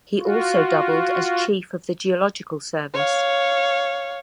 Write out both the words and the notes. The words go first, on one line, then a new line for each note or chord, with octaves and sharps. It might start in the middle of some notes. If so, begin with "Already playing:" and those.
He also doubled as Chief of the Geological Service.
F4 F#4
C#5 F5